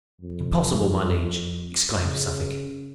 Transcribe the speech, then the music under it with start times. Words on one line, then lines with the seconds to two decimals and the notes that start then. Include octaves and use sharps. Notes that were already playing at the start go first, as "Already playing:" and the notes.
"Impossible, my liege?" exclaimed Suffolk.
0.21 F2
1.99 C#3